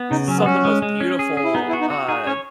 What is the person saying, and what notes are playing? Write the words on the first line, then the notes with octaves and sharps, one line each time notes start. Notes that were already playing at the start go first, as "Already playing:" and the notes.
some of the most beautiful, uh
Already playing: B3
C#3 D#4
F#3 C#4
B3
C#4 F#4
G#3
G#3
C#4
G#4
G#4
E4
B3 D#4
E4
F#4
D#4
F#4
D#4 G#4
C#4 C#5